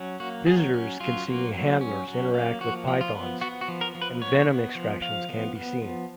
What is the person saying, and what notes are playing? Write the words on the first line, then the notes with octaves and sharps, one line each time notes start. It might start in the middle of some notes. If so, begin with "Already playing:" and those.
Visitors can see handlers interact with pythons, and venom extractions can be seen.
Already playing: F#3 C#4
A#3 F#4
F#3 G#4
C#4
F#3 F4
A#3
F#3
C#4
F#3
A#3
F3 F#4
F3
F4
B3
B3 F#4
F#4
F3
A#4
F3
B4
B3 C#5
B3
F3
F3 F5
B3
B3
F3